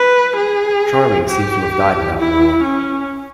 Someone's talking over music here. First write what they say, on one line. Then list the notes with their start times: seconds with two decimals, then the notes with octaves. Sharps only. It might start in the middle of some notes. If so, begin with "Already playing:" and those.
Charming seems to have died in that war.
Already playing: B4
0.36 G#4
1.28 G4
2.19 E4
2.63 C#4